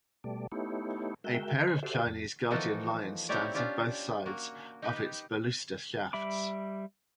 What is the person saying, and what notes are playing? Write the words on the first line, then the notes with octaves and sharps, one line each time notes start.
A pair of Chinese guardian lions stands on both sides of its baluster shafts.
B2 G3 A3 D5
A3 B3 D#4 E4 G4 C#5
G#3 F#4 A#4 E5 G5
C#5 D#5 G#5 B5 C6
F#4 G4 A4 C5 D5 E5
F2 A6
E3 F3 A#3 D#4 F#4 A4
C4 D#4 E4 G4 C#5 D5
C#4 D4 F4 G4
A#3 F#4
D#4 G4 B4
G3 E5 B5 D6